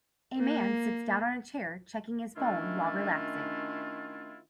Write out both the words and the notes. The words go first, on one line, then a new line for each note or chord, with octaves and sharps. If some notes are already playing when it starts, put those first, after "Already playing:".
A man sits down on a chair, checking his phone while relaxing.
A#3
D#3 A3 C#4 D4 E4 F4